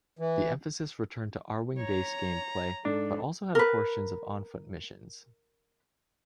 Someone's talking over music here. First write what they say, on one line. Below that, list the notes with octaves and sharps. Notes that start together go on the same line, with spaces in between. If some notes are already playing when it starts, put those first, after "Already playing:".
The emphasis returned to Arwing-based gameplay, but also had portions of on-foot missions.
E3
C#5 A#5
G#2 D4 A4
A#4 B4